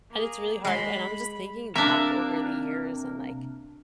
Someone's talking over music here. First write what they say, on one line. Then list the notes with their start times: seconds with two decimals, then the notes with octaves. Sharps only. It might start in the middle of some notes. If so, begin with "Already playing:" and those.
And it's really hard, and I'm just thinking back over the years and like
0.11 A#3 G#4
0.65 G#3 B5 C6
1.76 C3 A#3 D4 A#4 E5